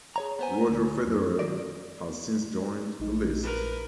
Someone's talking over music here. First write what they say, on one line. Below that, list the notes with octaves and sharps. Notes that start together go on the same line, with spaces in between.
Roger Federer has since joined the list.
G#4 C#5 A#5
B3 C5 G#5
D2
F#2
D#3 F#3 D5
A#1 D#4
A#4 B4